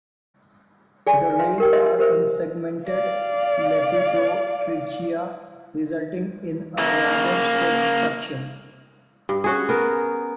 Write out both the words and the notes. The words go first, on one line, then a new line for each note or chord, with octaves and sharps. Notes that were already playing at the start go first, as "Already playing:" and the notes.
The rays are unsegmented lepidotrichia, resulting in a rather stiff structure.
G#4 A4 D5 G#5
B4 E5 F5 C6
G4 A#4 G5
G#4 C#5 D#5 E5 C6
G4 A#4 C5 E5
D5 F5
C#3 A#3
G2
C#4 F#4 G#4
B3 A#4